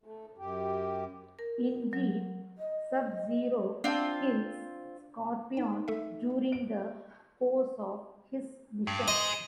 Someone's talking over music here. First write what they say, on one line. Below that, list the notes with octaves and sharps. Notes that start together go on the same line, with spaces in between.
Indeed, Sub-Zero kills Scorpion during the course of his mission.
A3
F#2 G4
A#4
F#3
D#5
C4 D4 F4 A5
D#4 G5
A3 A4 E5
D7
G2
G#4 C5 D#5